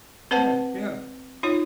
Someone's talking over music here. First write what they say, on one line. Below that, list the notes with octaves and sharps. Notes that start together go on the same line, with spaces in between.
Yeah, yeah.
C4 B4 C5 F#5 A5
D#4 F4 C#5